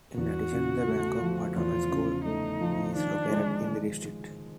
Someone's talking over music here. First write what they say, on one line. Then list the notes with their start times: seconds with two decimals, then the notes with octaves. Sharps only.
In addition the Bangkok Patana School is located in the district.
0.17 E2 F#4
0.52 C#3
0.86 A3
1.22 F3
1.56 E2 F4
1.91 C#3
2.26 A3 D#4
2.61 F3
2.95 D#3 D4
3.30 G#3